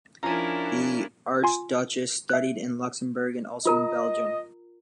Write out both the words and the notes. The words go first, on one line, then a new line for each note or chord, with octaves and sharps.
The archduchess studied in Luxembourg and also in Belgium.
F3 C#4 D4 E4 F4 A#4 G#5 A#5
F4 G#5 C6
E5 F#6
F4 A#4 D#5 A#5